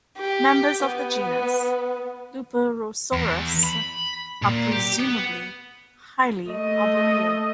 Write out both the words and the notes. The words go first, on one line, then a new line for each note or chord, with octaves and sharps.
Members of the genus "Luperosaurus" are presumably highly arboreal.
G4
B3
E2
B5
A#2
G4
B3
A3 D#5